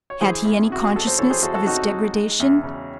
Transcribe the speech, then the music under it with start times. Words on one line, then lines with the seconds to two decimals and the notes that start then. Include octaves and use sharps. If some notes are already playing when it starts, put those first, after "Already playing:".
Had he any consciousness of his degradation?
0.10 C#5
0.21 E3 G#4 C5
0.45 E2
0.70 C3 F#4
0.84 G#4
0.94 G#3 A4
1.07 C5
1.18 E3 A4 C#5
1.30 G#4 C5
1.42 E2 F#4 A4
1.54 F#4 A4
1.66 C3 D#4 F#4
1.91 G#3
2.16 G#3
2.40 E2
2.63 C#3